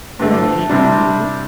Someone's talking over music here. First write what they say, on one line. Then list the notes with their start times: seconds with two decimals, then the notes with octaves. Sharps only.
Right. Mhm.
0.19 G2 D3 A3
0.69 C3 G3 D4